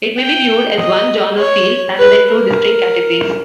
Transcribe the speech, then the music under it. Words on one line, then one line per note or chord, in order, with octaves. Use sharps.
It may be viewed as one genre field, rather than two distinct categories.
G5
D#5
C#5
B4
A#4